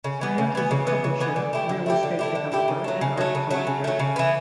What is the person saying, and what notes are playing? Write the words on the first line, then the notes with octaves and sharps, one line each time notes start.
Brant is a publisher, real estate developer and art collector.
C#3
E3 B3
C#3
E3 B3
C#3
E3 B3
C#3
E3 B3
D3
A3 E4 G4
D3
A3 E4 G4
D3
A3 E4 G4
D3
A3 E4 G4
C#3
F#3 A3
C#3
F#3 A3
C#3
F#3 A3
C#3
F#3 A3
C#3
E3 B3